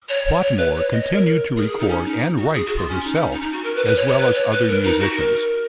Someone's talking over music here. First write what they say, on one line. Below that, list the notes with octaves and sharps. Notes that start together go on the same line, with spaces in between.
Whatmore continued to record and write for herself as well as other musicians.
C#5
C#5
C#5
B4
C#5
D#5
C#5
A#4
G#4
A#4
G#4
D#4
C#4
D#4
F#4
G#4
F#4
F4
C#4
D#4
C#4
D#4
D#4
F#4
A#4
B4
B4
C#5
C#5
B4
C#5
B4
A#4
D#4
F#4
A#4